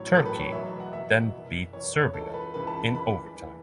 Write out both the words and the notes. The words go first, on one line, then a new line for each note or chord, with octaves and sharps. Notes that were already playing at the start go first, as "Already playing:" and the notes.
Turkey then beat Serbia in overtime.
Already playing: A1 A2 F#3 C#5
A1 A2 F#3 A4
B4
C#5
E2 B2 F#3 E5
F#5
E2 B2 F#3 E5
F#1 E2 E3
F#1 E2 E3 C#5
C#5
C#2 C#3 E3 A4
B4
C#2 C#3 E3 B4
A5
B5
E2 E3 B5
E3